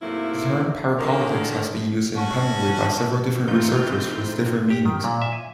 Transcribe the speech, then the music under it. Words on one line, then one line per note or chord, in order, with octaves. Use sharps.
The term parapolitics has been used independently by several different researchers with different meanings.
G#2 C3 F#3 A3 A#3 E4
D3 D#3 A#4
C#4 D4 F#4
E3 A3 C4 D#4 F4 G6
G4
D#3
A#2
E5
G#5